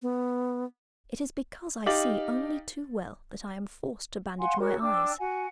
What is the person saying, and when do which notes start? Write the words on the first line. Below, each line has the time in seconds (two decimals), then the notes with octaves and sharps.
It is because I see only too well that I am forced to bandage my eyes.
0.02 B3
1.86 D#4 G4 F5 D6 A6 F#7
4.39 F5 F#5 G#5 C6
4.58 F#4 G#4 A#4 C#5
4.80 D4 G5 D6 E6
5.18 F#4 F#5 G#5